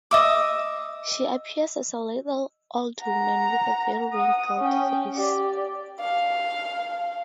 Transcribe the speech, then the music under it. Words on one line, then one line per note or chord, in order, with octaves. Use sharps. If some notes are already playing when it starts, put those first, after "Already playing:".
She appears as a little old woman with a very wrinkled face.
D#5 E5 D6
F#5 A#5
F#5 D#6
C#4 G5
G4 D5
F5